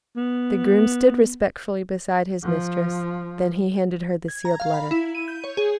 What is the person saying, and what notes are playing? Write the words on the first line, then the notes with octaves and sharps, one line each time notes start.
The groom stood respectfully beside his mistress, then he handed her the sealed letter.
B3
F3
G#6
A#5
F5
B5
E4
D#7
G6
C#5
G#4